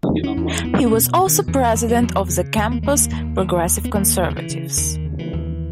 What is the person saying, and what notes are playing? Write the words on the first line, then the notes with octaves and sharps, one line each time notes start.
He was also president of the campus Progressive Conservatives.
E2
C#4
E2
E2 B3
C#4
B2
B2
D#3
E2 E3
E2
F#3
E2
C#3
D#2
A#3
D#2 G#3
A#3
D#2
D#2
D#2
B3
D#2 A#3
C#3
D#3
E3
C#3
D#2 D#3
C#3
E3
D#2